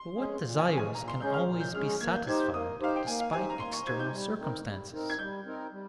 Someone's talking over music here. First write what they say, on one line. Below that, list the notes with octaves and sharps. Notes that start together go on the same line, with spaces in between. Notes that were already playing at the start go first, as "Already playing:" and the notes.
But what desires can always be satisfied despite external circumstances?
Already playing: C6
G#3 C#4 G#4
A#2
G#5
G#3 C#4 G#4
G#5
A#2 A#5
C6
G#3 C#4 G#4 G6
F6
A#2
G6
G#3 C#4 G#4 F6
A#3 G#6
G6
D#4 G4 C5 G#6
G6
A#3 D#6
D#4 G4 C5 F5
G5
A#3 G#5
F5
D#4 G4 C5 G#5
A#5
A#3 C6
C#6
D#4 G4 C5 G#6
G6
G3
C4 D#4 A#4
G3
C4 D#4 A#4
G#6
G3 G6
C4 D#4 A#4
G3